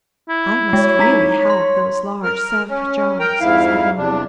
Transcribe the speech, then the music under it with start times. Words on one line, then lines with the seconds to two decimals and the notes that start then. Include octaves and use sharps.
"I must really have those large Sevres jars," said one.
0.29 E4
0.73 G#3 C#5
0.99 D#4 A#5 B6
1.50 C6
2.23 A#4 F6
2.69 C#4
3.20 A#4 G5 A#5
3.41 F2 G#2 E4 F5
3.97 E2 C3 D4